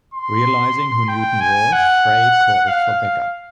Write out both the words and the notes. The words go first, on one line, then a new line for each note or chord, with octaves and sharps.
Realizing who Newton was, Frey called for backup.
C6
G5
G#5
F#5
F5